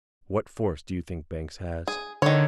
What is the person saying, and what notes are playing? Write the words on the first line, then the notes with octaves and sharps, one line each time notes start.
"What force do you think Banks has?"
G#4
D3 D#3 C#5